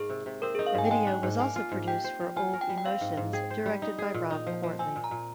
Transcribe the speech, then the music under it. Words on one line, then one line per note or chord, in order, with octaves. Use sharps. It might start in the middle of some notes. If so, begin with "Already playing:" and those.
A video was also produced for "Old Emotions", directed by Rob Quartly.
Already playing: G#2 A#3 G#4
C3
C3
C4 A#4
D#4 G#4
F5
G#2 G#5
G5
G#3 G#5
D4
G#2
A#3 G#5
F4
G#2
G4 G5
C5
F3
F4 G#5
A#4
G5
G3
G5
C4 F5
G#2
G#2
G#4 G5
C5
G3
D#4
G#4
A#2
D#4
F3
F3
C4 G#5
A#2
A#5
A#2